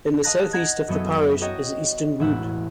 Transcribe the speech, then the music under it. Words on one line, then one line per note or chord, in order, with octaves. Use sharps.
In the south-east of the parish is Easton Wood.
D#5 F5 A5 A#5 F#6 A#6
F#5 A#5 G6 G#6
F#2 F#3 B3 A4 E5 D#6
F#4 C#5 D#5 G5 A#5
E1 A1 E5 F#5